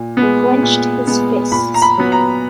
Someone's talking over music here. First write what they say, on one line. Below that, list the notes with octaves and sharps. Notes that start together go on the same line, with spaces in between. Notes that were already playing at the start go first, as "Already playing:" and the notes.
He clenched his fists.
Already playing: A#2
G#3 B3
A#2
G#3 B3
A#2 B5
A#5
B5
F#3 B3
A#5